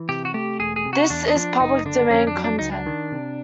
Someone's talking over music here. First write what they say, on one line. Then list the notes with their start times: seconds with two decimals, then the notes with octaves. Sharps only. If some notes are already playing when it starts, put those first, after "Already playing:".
This is public domain content.
Already playing: E3
0.09 C3 G4
0.25 F#4
0.34 A3 G4
0.60 E1 G#4
0.76 G#4
0.85 C3
0.93 F#4
1.10 E2 D4
1.28 D#4
1.35 F3 D4
1.60 F#1 D#4
1.86 D3 D4
2.11 F2 C#4
2.27 D4
2.36 F#3
2.44 D4
2.59 C#2 D#4
2.72 D4
2.86 D#3
3.12 C3